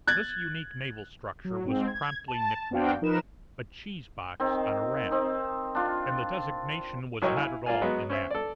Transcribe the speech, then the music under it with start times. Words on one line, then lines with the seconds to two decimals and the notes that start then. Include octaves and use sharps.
This unique naval structure was promptly nicknamed "a cheese-box on a raft," and the designation was not at all inapt.
0.07 F#6 G#6 A6
1.44 F#3
1.65 G#2 C4
1.87 G#6
2.28 A5
2.71 B3 C4 D4 F#4 F5 G5
3.02 F3 D#4 A#4 B4 E7
4.40 D#3 C4
5.11 C4 D#4
5.75 D4 F4
7.22 C2 F#3 C#5 D#5 G5 C#6
7.36 E4 F5 G#5
7.66 F4 A#4 D5 F5 G#5
7.82 F#3 G#3 B3
8.10 C#4 C5 E5
8.31 A4 D5